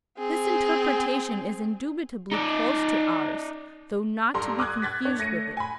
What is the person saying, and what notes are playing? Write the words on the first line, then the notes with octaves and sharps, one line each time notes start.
This interpretation is indubitably close to ours, though not to be confused with it.
C4 G#4
D#4 D5
G2 A4 A#5 C6
D6 D#6 F#6 G#6
D6 F#6 G#6 A6 B6
D4 C#5
A3 A#6 C#7 D#7
G#5 B5